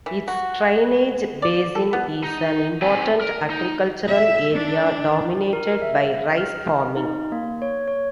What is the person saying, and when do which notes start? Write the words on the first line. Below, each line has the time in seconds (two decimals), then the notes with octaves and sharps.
Its drainage basin is an important agricultural area, dominated by rice farming.
0.06 E3
0.28 F#4
1.42 D5
1.75 A4
1.93 B3
2.23 D#4
2.82 C4 D5 G#5
3.21 A#4
3.50 D#4
4.07 E5
4.53 D4
5.53 A#4
5.82 E5
6.37 F6
6.97 D#4
7.32 A#3
7.62 C#5
7.88 C#5